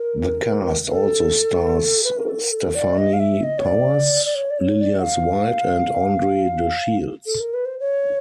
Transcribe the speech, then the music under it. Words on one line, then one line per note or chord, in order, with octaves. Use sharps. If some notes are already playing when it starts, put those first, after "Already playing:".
The cast also stars Stefanie Powers, Lillias White and Andre DeShields.
Already playing: A#4
A4
B4
A#4
A4
A#4
A4
D5
D#5
F5
E5
D#5
C#5
D5
D5
C#5
D5
C#5
D5
F#5
F5
A4
A#4
B4
C5
C#5